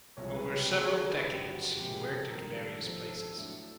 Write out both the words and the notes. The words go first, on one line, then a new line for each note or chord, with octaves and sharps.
Over several decades, he worked at various places.
C2 C3 F3 G#3 C#5
B4
G4
D#2 C#3 F#3 A3 G#4
G#4
A4
B4
G1 F#2 D3 G3 C4 G4
F#4
F#4
F#1 F2 C3 F3 G#3 G4
G#4
A4
A#1 G#2 D#3 G3 A#4
A4
F2 C3 F3 A4
A4
A4
A4
A2 F#3 A3 D4